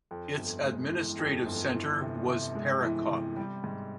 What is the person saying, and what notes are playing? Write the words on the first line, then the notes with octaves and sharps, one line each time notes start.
Its administrative centre was Perekop.
F2
G1
G#3
E3
F2
G1
E3
C3
C3
G#3
E3
C3
G3
G#2